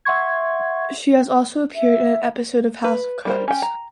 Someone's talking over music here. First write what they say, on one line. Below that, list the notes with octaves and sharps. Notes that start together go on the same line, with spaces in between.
She has also appeared in an episode of "House of Cards".
E5 F#5 C6 C#6 G#6
E5
B4
G3 A#4 C5
C#4 G5
A#5